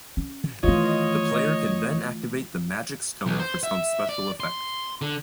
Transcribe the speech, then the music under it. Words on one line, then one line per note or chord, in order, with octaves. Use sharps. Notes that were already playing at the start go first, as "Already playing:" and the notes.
The player can then activate the Magic Stone for some special effect.
C#4
D#3 E3 A3 F4 C#5 D#5
B1
C5
E5
D5
C6
D3